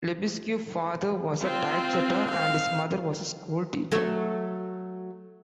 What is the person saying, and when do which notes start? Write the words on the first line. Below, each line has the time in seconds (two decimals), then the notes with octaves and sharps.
Lebesgue's father was a typesetter and his mother was a school teacher.
1.43 C4 F4
2.30 F5
3.91 F#3 A3 A4